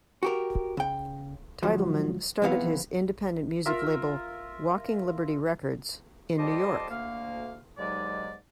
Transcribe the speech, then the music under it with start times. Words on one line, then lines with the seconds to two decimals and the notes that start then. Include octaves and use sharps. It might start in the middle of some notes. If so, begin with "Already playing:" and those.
Titelman started his independent music label Walking Liberty Records in New York.
0.23 F#4 G4 A#4
0.77 C#3 G5
1.63 D2 G#2 F3 F#3
2.42 B1 E2 C3 E3 B3 F5
3.66 F4 A#4 E5
6.37 F2 G3 D#5 A5 C6 D6
6.89 D2 A#3 F5
7.78 D#2 G#2 F#3 G#3 D5